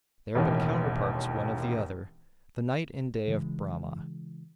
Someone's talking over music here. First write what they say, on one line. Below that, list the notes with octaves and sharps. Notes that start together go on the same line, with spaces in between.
They are but counterparts one of the other,--The Night and Day of Brahma.
E1 A1 D#2
C#3 E3 G#3